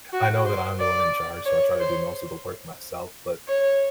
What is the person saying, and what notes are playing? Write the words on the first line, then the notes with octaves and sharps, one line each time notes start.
I know that I'm the one in charge, so I try to do most of the work myself, but,
F#4
C5
D5
C#5
C5
C#5